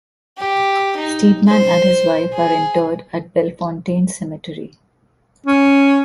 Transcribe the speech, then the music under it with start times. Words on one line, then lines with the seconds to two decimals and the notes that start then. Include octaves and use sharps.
Steedman and his wife are interred at Bellefontaine Cemetery.
0.38 G4
0.97 D#4
1.48 C5
2.33 G#4
5.46 C#4